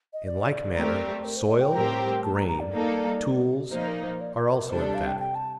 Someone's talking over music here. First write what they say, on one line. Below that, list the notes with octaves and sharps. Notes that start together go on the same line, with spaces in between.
In like manner, "soil," "grain," "tools," are also emphatic.
D#5
D5
A3 C4 G4 A#4
A#4
C5
D#5
G5
A2 G3 C4 G4 A#4
A5
A#5
A#5
D5
G3 A#3 D#4 A4
A#2 F3 A#3 D#4 C5
A#4
C5
D5
D5
A#4
C3 G3 D4 A4 C5
D5
F5
G5
G5
A5